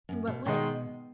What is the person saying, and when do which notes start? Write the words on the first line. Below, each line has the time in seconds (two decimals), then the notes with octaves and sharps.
"In what way?"
0.09 F#2
0.27 B2
0.46 B2 D#3 G#3 D#4